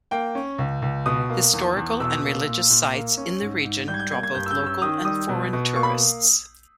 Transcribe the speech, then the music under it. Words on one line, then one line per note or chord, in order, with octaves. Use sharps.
Historical and religious sites in the region draw both local and foreign tourists.
A#3 G5
C#4
C#2
C#2
B2 D#6
A#3
E2
E2
B2 E6
A#3
A#2
A#2
A#3
C#4
G#2
G#2
G3 G6
G#6
G6
A#3 G#6
G#6
G2 G6
E6
G6
C#4
E6
D#3 D#6
G3 D#6
B2
B2
A#3 C#6
B5